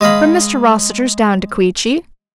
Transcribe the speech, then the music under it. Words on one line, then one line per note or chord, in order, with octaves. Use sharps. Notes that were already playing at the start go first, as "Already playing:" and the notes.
"From Mr. Rossitur's down to Queechy."
G#3 D#5 F5 B5